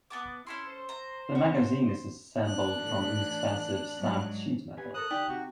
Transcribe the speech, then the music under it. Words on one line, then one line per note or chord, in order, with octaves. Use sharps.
The magazine is assembled from inexpensive stamped sheet metal.
B3 A5 D6
C#4 E4 A4 C6
C5
A#5
F#4
D4 F#6
A2 E3
G#2 F#3
G4 B4 G#5
A4 A#4 C5 D#6 F#6
D3 D#4 G4 D5
C3 F#4